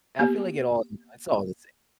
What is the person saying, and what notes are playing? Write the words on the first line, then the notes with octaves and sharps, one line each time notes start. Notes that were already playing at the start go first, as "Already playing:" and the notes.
I feel like it all it's all the same,
A#3 B3 G4